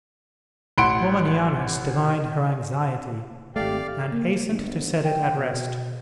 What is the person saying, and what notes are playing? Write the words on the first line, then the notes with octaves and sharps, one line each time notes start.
Romanianus divined her anxiety, and hastened to set it at rest.
A1 F#5 B5 C6 D7
G#1 A3 G4 D5 F5
A#3
G1
G5
B2